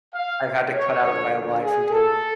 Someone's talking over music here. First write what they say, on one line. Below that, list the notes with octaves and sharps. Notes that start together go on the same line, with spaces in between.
I had to cut out of my life who do
F5
C#5
D2 D3 F3 C#5
G#4
A4